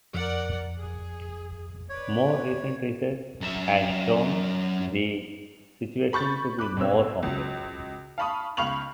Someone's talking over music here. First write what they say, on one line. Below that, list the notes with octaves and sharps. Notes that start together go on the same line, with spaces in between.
More recent research has shown the situation to be more complex.
F2 A#4 D5 F#5
G#4
B4 C#5 D5
F#2 E5
B5 C#6 G6 A6
B5 D6 F#6
B1 C4 C#5 E6
C#2 F#3
F5 A5 B5 C#6 D#6
C#2 F5 B5 C#6 F7 F#7